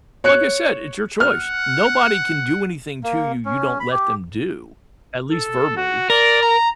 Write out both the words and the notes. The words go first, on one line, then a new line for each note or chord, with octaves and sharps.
Like I said, it's your choice. Nobody can do anything to you, you don't let them do, at least verbally.
C#5 F#6 C#7
F#5 F6
A#3
C#4
B5
G4
A4
F#4
A#4 D5
A#5